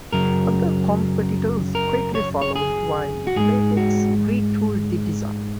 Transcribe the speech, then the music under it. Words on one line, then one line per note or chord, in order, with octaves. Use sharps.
Other competitors quickly followed while Playtex retooled the design.
F#2 C#3 F#3 A#4
A#4
C#5
C#5
G#4
F#4
G#2 G#3 G#4
F#4